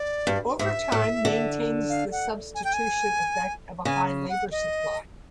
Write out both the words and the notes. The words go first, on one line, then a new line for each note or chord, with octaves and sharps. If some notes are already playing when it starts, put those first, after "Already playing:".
Overtime maintains the substitution effect at a high labour supply.
Already playing: D5
G2
G#2 E5
A2
D3
F5
F#5
G#5
G5
G#5
C#3 G#5
F#5
D#5